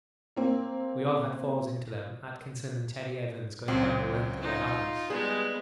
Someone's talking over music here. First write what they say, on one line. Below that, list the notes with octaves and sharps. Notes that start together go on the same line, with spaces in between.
We all had falls into them, Atkinson and Teddy Evans going down the length of their harness.
A#3 C4
C#2 F#3 C4
D#4 F4
G3 G#3 B3 G#4